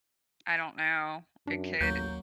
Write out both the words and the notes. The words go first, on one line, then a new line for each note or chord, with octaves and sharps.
I don't know. It could
F#2 D4
A1 D#2 F#3 A#3 C#4 G6